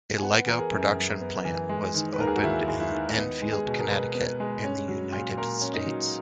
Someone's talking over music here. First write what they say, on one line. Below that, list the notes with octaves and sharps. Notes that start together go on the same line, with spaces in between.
A Lego production plant was opened in Enfield, Connecticut in the United States.
G#5
B3 F#5
E3 A#4
G#4
F#2
F#2
B3
E3
G#3
D#3
B4
D#2 A#4
G#4
F#4
D#2 E4
G#3
E4
D#3
B3 D#4
G#3
G#4
B2
A#4
B2 B4
B3
G#3
C#4
F#3
A#2
A#2 A#4
C#4
D#4
F#3